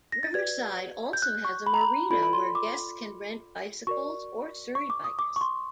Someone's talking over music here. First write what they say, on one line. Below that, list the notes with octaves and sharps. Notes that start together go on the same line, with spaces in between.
Riverside also has a marina where guests can rent bicycles or surrey bikes.
A#6
A6
F#4 B4 D5 G#6
G6
F#6
C#6
B5
A#5
B5
F4 A4 D5 B5
B5
C6
D6
F#4 A#4 D5 C#6
C#6
D6
D#6
D6
C#6
C6